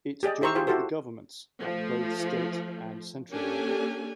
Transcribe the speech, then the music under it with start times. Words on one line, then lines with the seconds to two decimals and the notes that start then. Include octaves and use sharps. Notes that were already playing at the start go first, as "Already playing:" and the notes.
It joined the governments at both state and central level.
0.23 G4 G#4 D5 D#5
0.41 E4 G4 C5 A#5 C#6 E6
0.55 F4 G4 G#4 C5 G5
0.67 E4 F#4 G4 A4 C5
1.61 F3 A3
3.31 A#3 C#4 D4 G4 A4 G#5